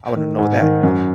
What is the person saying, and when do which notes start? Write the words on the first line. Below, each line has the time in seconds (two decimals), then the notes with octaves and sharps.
I wanna know that, you know, and
0.16 D#3
0.38 G#2
0.61 D#3
0.83 F#2